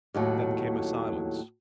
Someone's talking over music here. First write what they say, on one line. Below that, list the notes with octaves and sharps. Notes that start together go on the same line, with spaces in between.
Then came a silence.
D#2 A2 F#3